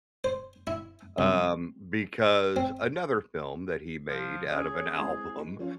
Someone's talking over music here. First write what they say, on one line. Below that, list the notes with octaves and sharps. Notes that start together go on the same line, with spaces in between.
um, because another film that he made out of an album
C5
E4
C2
C4
F3
C#4 G#4 C#5
E3 G#3 C4
F3 C#4 F4